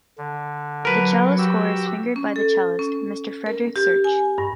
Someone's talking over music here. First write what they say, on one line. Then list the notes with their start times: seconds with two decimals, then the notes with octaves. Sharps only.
The cello score is fingered by the cellist, Mr. Frederick Search.
0.18 D3
0.85 F#3 A#4 B4
1.38 F#4 G4 E6
2.16 C#4
2.36 A4
2.79 C#4
3.46 A#4
3.76 G4
4.04 G#5
4.38 G2